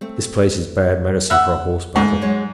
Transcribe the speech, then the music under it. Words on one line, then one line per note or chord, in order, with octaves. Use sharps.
This place is bad medicine for a horse battle.
A3 C4
E5 F#5
D#2 G#2 G#3 A3
F#3 G#3 C#5